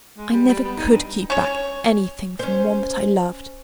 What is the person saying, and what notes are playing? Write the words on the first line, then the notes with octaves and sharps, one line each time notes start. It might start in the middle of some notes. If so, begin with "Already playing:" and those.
I never could keep back anything from one that I loved.
G#3
G3
G3
B3
D#4
G2
C#4 C#5
C#4 C5